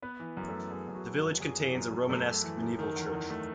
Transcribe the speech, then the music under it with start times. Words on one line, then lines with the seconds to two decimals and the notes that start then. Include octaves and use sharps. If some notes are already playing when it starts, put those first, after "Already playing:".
The village contains a Romanesque medieval church.
0.02 B3 B4
0.20 E3
0.37 F#2
0.48 A3 A4
0.54 E3
0.71 F#2 G#4
0.88 F#2
0.94 F#4
1.06 B3
1.17 F#4
1.23 F#2
1.40 F#2 G#4
1.58 E3
1.75 F#2
1.92 F#2
2.09 F#2 A3 A4
2.27 F#2
2.44 E3
2.61 F#2
2.79 D#3
2.96 E2
3.13 E2
3.30 A3